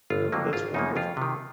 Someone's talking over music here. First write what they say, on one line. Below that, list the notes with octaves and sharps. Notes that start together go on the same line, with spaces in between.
No, that's wonderf
G1 F4
F2 D3 F#3 A#3
G#1 F4
F#2 C#3 F3 A#3 D#4
F2 F4
C3 D#3